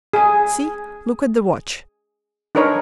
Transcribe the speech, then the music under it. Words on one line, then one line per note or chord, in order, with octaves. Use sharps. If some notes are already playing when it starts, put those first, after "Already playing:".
See, look at the watch.
G#4 G#5
D4 D#4 A#4 B4 C#5